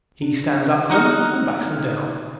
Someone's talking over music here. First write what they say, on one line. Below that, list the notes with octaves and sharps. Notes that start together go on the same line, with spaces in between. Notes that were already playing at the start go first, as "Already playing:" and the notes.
He "stands up to them" and backs them down.
D4
D#4 F#4 A#5 F6